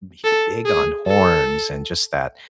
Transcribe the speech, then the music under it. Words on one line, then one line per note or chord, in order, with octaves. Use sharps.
he big on horns and just that
A4
G#4
A4